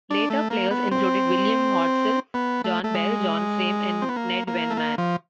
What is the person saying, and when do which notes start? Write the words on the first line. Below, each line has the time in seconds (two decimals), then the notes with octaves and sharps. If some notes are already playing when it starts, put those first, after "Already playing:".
Later players included William Hodsoll, John Bell, John Frame and Ned Wenman.
0.10 D4
0.30 A3
0.50 A#3
0.71 B3
0.91 C4
2.34 B3
2.64 A3
2.84 A3
2.95 G#3
4.02 C4
4.09 B3
4.16 A#3
4.48 A#3
4.70 A3
4.77 A#3
4.98 F3